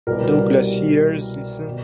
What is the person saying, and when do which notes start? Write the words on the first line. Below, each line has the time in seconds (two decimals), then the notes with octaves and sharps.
Do Glaciers Listen?
0.07 C2 B2 G3 A#4
1.68 B2